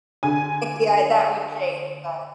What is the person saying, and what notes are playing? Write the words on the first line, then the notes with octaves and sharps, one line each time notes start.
yeah, that would change, but
D3 G#5